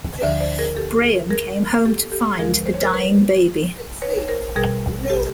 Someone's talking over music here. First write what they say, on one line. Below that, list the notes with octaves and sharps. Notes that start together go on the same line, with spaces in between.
Braham came home to find the dying baby.
D2 D3 F3 D5 E5
C5 D5
G#4 A#4
G4 A4
G#4 A#4
G#4 A#4
G4 A4
G4 A4
D2 D3 F3 G#3 G#4 A#4
C5
C#5
A#4 C5
B4 C#5
B4 C#5
C#5
A#4 C5
B2 G3 G#4 A#4
G4 A4